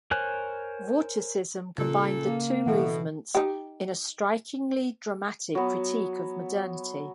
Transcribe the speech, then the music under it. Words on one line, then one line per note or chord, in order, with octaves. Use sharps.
Vorticism combined the two movements in a strikingly dramatic critique of modernity.
A#4 C5 C#5 G#5 F#6
A#2 C#3 A4
A#3
B2 E3 A4 E5 F#5
D#4 G4
F#3 B3